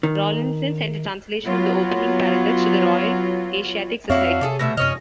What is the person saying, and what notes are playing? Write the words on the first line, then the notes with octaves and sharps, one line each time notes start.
Rawlinson sent a translation of the opening paragraphs to the Royal Asiatic Society.
D#3
F#3 B3 F4
F2 C4 D4 E4 F#4 C#5 E5 F5
C3 G#4 A4 D5
B2 D3 A3 E5 A#6
F#2 C3 C#4 C#5 D#5 F6